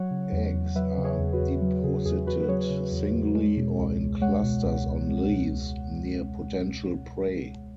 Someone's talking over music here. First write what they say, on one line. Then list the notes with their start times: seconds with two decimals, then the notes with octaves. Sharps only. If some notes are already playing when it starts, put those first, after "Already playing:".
Eggs are deposited singly or in clusters on leaves near potential prey.
Already playing: F#3 C#5 F#5
0.11 C#3
0.32 E2
0.54 E2
0.76 F#3 B4 E5
0.97 C#3
1.04 G#4 C#5
1.19 E2
1.33 F#4 B4
1.40 E2
1.62 F#3
1.84 C#3 G#4
2.05 E2 G#4
2.27 E2 F#4 B4
2.43 B4
2.49 F#3 G#4 C#5
2.70 C#3
2.92 E2
3.14 E2
3.35 G#3
3.57 B2
3.78 C#2
4.00 C#2
4.22 G#3 C#5 F#5
4.43 B2
4.65 C#2
4.87 C#2
5.08 G#3
5.30 B2
5.51 C#2